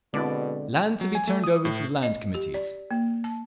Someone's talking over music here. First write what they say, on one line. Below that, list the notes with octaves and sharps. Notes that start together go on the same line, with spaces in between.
Land to be turned over to the Land Committees.
B2 D3 G#3 C4 E4 D5
F#3
G#5
A3
D#6
A2
D#5
G4
D5
A#3
A5